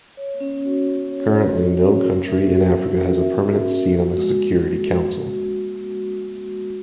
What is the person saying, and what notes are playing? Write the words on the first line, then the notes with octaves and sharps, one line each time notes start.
Currently, no country in Africa has a permanent seat on the Security Council.
C#5
C#4
F#4
C#4
C#5
C#4
F#4
C#4
A#4
E5
F#4
C#4
A#4
E5
F#4
C#4
F#4
G#3